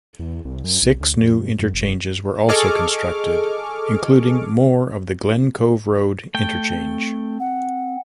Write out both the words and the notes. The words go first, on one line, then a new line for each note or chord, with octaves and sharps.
Six new interchanges were also constructed, including more of the Glen Cove Road interchange.
E2
C2
F#2
B1
D2
F2
G2
F#2
F1
G#4 A4 D#5 C#6 D6 F6
A3 G5
C4
F#5